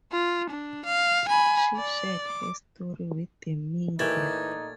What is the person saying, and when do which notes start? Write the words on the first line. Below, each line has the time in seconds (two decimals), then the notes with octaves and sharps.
She shared her story with the Media.
0.12 F4
0.49 D4
0.85 F5
1.28 G#5 B5
1.77 D5
2.26 D6
3.99 A#2 E3 A3 D#4 G4 G#6 A6